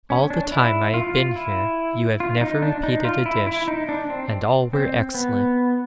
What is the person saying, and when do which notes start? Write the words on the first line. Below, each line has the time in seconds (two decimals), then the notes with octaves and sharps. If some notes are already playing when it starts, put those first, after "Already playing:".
All the time I have been here you have never repeated a dish, and all were excellent.
0.10 C#4
0.30 D4
0.52 E4
0.94 F4
1.15 F4
1.36 E4
2.20 F4
2.41 D#4
2.62 D4
2.83 D#4
3.05 F4
3.26 E4
3.47 E4
3.68 D#4
3.89 D4
4.10 C4
4.73 C4
5.14 B3